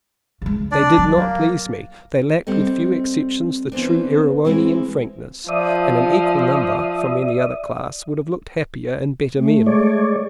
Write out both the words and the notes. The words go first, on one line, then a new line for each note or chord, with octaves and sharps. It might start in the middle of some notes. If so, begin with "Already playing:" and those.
They did not please me; they lacked, with few exceptions, the true Erewhonian frankness; and an equal number from any other class would have looked happier and better men.
C#3 G#3
D4 D5
F#3
A#3
G3 C4 A4 D#5
E3 B3 C4 D4
E3 G#3 C4 E4 F#4
F3 D5 E5 D#6
A3
G#3 C#5 D5